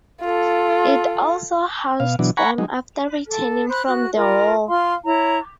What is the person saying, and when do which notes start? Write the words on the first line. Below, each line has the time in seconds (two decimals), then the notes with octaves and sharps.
It also housed them after returning from the war.
0.21 F4 A4
2.00 B2 F5
2.19 B2 E3 F#3 D4
2.37 F#5 G#5 A#5 B5 C#6
2.58 F#3 G#3 D#4
3.28 A4
3.69 C5 B5 F#6
3.85 F#4 F#6
4.15 F4 A#4
4.69 F4 F5 C6
5.05 E4 C#5 A#5